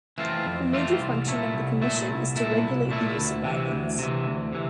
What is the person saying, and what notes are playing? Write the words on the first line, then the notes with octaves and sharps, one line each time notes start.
A major function of the Commission is to regulate the use of violence.
E3 A3 C4 F4
F2
E3 A3 C4 F4
C2
A#2 A3 E4
C2
A#2 A3 E4
C2
A#2 A3 E4
C2
A#2 A3 E4
D2
C3 E3
D2
C3 E3
D2
C3 E3